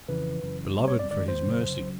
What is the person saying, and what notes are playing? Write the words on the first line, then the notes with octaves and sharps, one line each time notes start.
Beloved for his mercy!
F2 C#3 E3 B4
F#2 C#3 E3
B1 B2 G3 C4
C#5
D5
G#2 D#3 G#3 D5
C5
F1 F2 C#3 F#3
C#3 F#3